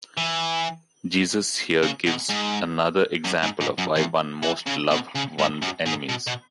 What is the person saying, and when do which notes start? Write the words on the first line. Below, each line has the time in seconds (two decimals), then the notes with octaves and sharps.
Jesus here gives another example of why one most love one's enemies.
0.17 E3
1.83 C#3
2.07 B2
2.30 G#2
3.25 F#2
3.43 G#2
3.61 G#2
3.78 F#2
3.96 E2
4.43 E3
4.67 C#3
4.91 B2
5.15 C#3
5.38 G#2
5.62 F#2
5.86 G#2
6.09 B2
6.27 B2